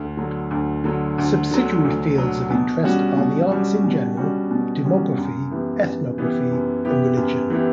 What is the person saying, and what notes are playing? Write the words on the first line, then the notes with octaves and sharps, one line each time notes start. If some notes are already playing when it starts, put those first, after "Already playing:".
Subsidiary fields of interest are the arts in general, demography, ethnography and religion.
Already playing: D2
D3 F#3
D2
D3 F#3
D2
D3 F#3
D2
D3 F#3
B2
G3 C#4 F#4
B2
G3 C#4 F#4
B2
G3 C#4 F#4
B2
G3 C#4 F#4
F#2
E3 B3 E4 G4
F#2
E3 B3 E4 G4
F#2
E3 B3 E4 G4
F#2
E3 B3 E4 G4